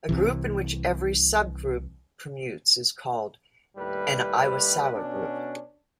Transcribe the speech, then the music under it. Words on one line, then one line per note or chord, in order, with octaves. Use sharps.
A group in which every subgroup permutes is called an Iwasawa group.
C2 C3 E3
D#2 A2 G3 B4
B2 C#4 D4